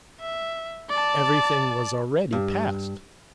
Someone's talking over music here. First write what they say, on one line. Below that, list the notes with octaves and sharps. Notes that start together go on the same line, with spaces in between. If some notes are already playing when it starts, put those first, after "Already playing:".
Everything was already past.
E5
D5 A5
G2